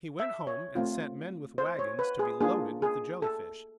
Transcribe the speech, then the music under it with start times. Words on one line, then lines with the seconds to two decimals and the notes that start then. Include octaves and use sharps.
He went home, and sent men with wagons to be loaded with the Jelly-fish.
0.20 E5
0.47 C#5
0.75 A3 C4 F4
1.58 C5
1.79 C#5
1.99 B4
2.19 G#4
2.41 A#3 D4 F4 G#4
2.82 G#4
3.22 A4